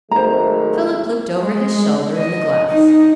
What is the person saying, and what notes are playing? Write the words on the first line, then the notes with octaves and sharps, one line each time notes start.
Philip looked over his shoulder in the glass.
G#1 F#3 A3 C5 A#5
G#3
D#5
D#4